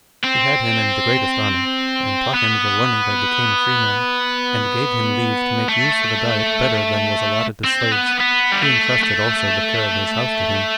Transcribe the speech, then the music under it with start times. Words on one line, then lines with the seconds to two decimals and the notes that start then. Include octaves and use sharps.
He had him in the greatest honor, and taught him the learning that became a free man, and gave him leave to make use of a diet better than was allotted to slaves. He intrusted also the care of his house to him.
0.24 C4
2.34 B3
5.69 A3
7.64 C4
7.92 B3
8.20 B3
8.52 G3
8.62 A3
9.03 A3